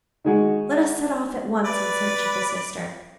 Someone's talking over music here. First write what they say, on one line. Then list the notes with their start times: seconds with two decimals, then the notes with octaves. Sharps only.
Let us set off at once in search of the sister.
0.24 D#3 G#3 F#4
1.65 B4 D5